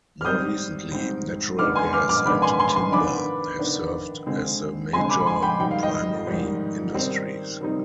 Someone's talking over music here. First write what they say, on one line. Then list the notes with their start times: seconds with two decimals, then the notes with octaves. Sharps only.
More recently, natural gas and timber have served as the major primary industries.
0.21 F6
0.25 G#2 G3 C4 D#6 G6
0.91 G#2 G3 C4
1.59 D#3 G#3 B3 D4 D6 F6
1.75 G#5 C6
1.93 D6 F6
2.09 D6 F6
2.26 D#3 G#3 B3 D4 B5 D6
2.42 G#5 C6
2.59 G#5 C6
2.76 G#5 C6
2.92 D#3 B3 D4 B5 D6
3.59 D#3 B3 D4
4.26 D3 G#3 C4
4.93 D3 G#3 C4 G#5 C6
5.09 B5 D6
5.20 B5
5.26 G#5 C6
5.43 G5 B5
5.59 G#2 D#3 G3 G5
5.71 F5
5.83 D#5 G5
6.27 G#2 D#3 G3
6.94 D#3 G3 C4 D#4
7.61 D#3 G3 C4 D#4